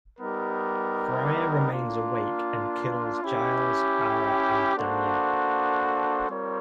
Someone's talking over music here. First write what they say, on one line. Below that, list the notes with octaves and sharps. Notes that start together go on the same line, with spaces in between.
Bryagh remains awake and kills Giles, Aragh, and Danielle.
G3 B3 D#4 G4 A#4
A#3 D4 F4
C#4 E4 G4
A#3 D4 F#4 A4 C5
G3 C4 F4 A#4 C#5